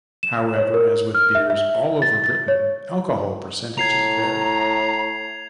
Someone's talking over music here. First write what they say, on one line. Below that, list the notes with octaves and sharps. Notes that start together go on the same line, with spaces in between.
However, as with beers all over Britain, alcohol percentages vary.
E7
C#5
A#4
F6
E5
E5
A6
A6
C#5
A2 A#5 G#6 C7 F7